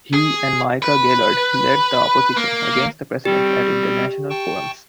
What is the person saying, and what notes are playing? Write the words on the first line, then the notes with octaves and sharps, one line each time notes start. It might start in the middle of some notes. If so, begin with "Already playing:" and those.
He and Micha Gaillard led the opposition against the President at international forums.
G#4
B4
A#3
G3 C4 G4
G5 A5 C#6